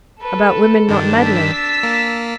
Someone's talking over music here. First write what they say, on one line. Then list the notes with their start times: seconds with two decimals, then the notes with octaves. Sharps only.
'About women not meddling.
0.21 A4 B4
0.89 G2 D#3 D4 A5
1.25 E6 A6 B6
1.83 A#3